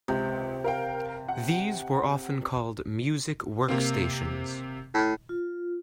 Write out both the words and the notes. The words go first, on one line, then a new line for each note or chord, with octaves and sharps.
These were often called "Music Workstations".
C#2 C3
A#4 F5 G5
F#5
C3 A#3 C4
A2
F4